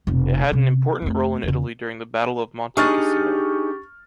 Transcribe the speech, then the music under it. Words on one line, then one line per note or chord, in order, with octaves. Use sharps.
It had an important role in Italy during the Battle of Monte Cassino.
F1 B2
C3 C#4
F2 A3
E2 C#3
D4 D#4 G4 G#4 F#5 C#6 F6 A6